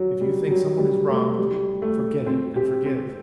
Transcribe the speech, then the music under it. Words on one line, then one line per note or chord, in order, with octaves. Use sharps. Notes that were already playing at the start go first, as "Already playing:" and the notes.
If you think someone has wronged you, forget it and forgive!
Already playing: F#3
G3
F#3
G3
A3
G3
A3
C4
G4
C4